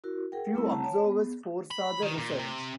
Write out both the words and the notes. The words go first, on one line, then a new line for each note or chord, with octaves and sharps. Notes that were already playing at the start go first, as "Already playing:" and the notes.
Few observers foresaw the result.
E4 F#4 A#4
G#4 A#4 F#5 G5
G3 A3 C4 E4 E6
F#5 A5 A#5
C#5 G#5 A5
B3 G#4
B5
D#3
A#2
C3